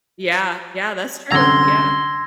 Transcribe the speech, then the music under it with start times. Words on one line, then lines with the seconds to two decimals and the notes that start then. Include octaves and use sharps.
Yeah, yeah that's true, yeah.
1.32 C2 F#2 D3 A#5 C6 E6 G#6 A#6